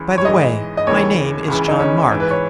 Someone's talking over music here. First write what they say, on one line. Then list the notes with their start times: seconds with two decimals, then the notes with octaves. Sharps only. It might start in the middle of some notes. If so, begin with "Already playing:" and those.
"By the way, my name is John Mark."
Already playing: C#2 C#3 E3
0.18 C#5
0.25 G#2 E3 D#5
0.77 D#5
0.87 D#2 C#3 E3 C#5
1.48 C#2 C#3 E3
1.68 D#4
1.79 C#4
2.10 G#2 E3
2.20 B4
2.31 C#5